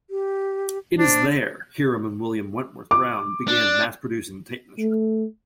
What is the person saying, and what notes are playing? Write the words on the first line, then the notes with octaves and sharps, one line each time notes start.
It is there Hiram and William Wentworth Brown began mass-producing the tape measure.
G4
D4 C5
D6
D4
A3